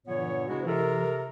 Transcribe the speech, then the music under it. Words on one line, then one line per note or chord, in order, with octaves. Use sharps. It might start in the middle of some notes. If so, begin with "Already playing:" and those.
Mm. Yeah.
G2 A#2 D3 B3 C#5
C#3 G#3 B3 D4 E4 F#4
C3 A4 A#4